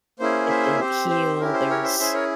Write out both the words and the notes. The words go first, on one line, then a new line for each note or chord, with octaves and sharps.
It didn't heal, there was
A#3 C#4 E4 G#4 C5
C5 E5
C4 G4 C5
C5
C#4 E4 G4 A#4
C5
A#4 C#5
C5 E5
C#4 E4 G#4 C5 E5
A#4 C#5